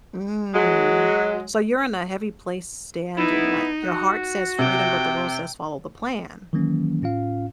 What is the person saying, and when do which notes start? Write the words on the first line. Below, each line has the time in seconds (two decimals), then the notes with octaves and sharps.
Mm, so, you're in a heavy place standing, like, "Your heart says freedom, but the world says follow the plan."
0.54 F#3 G#3
3.17 B3 D#4 E4
3.83 F#4
4.59 C3 G5
6.53 D#3 E3 F#3 A#3 C#4
7.02 A2 C#4 F4 F5